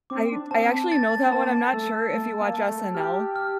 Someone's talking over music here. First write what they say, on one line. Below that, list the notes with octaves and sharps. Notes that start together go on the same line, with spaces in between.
I I actually know that one. I'm not sure if you watch SNL.
C4 D6
D4
C4 A5
A6
C4
A#3 A5
A3 E6
A3 A5
A#3
A5
A3
G4 F6
F6